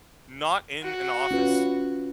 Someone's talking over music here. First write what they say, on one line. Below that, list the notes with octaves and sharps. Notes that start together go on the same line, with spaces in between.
not in an office.
F#4
C#4 F4 B4